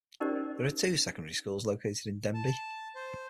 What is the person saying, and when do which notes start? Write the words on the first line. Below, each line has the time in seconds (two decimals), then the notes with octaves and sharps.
There are two secondary schools located in Denbigh.
0.20 C#4 D#4 G4 A#4 C5 D5
2.34 A5
2.96 C5